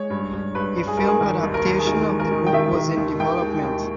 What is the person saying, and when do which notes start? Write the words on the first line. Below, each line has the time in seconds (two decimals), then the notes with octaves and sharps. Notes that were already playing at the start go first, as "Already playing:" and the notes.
A film adaptation of the book was in development.
Already playing: G#3 C#5
0.10 G2
0.33 G2
0.55 G2 B4
0.76 G2
0.87 G#4
0.97 G2 A#4
1.08 G#4
1.21 D#3 A#4
1.43 D#2
1.54 A#4
1.65 D#2
1.79 G#4
1.87 D#3 A#4
2.09 G#3
2.19 A#4
2.31 D#3
2.47 G5
2.53 D#3 E5
2.75 D#3
2.97 D#2
3.19 D#2 G5
3.41 G#3
3.63 D#2